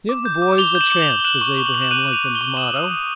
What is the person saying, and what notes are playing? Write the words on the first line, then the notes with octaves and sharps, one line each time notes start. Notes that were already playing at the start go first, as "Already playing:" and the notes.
"Give the boys a chance," was Abraham Lincoln's motto.
D6
G6
D6
D6 F7 G7
G6
E7 F#7
D6
F7 G7
G6
G7
F#6 E7 F#7
C#6
C#6 G7
F#7
C#6 F7
E7 F#7
F#6 D#7 F7
F#6
D#7 F7
F#6
F7 G7
C#6
D#6 E7 F#7
D#6
D#6